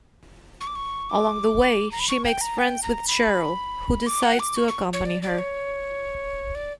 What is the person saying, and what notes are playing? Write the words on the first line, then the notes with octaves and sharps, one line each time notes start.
Along the way, she makes friends with Sheryl, who decides to accompany her.
C#6
D6
C#6
D6
A#5
B5
C#6
G5
A#5
G5
A#5
B5
D6
F#5
D6
C#6
C#6
C#5
D5
D5
C#5
D5